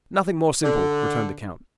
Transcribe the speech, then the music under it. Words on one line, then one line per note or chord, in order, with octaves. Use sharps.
"Nothing more simple," returned the count.
D3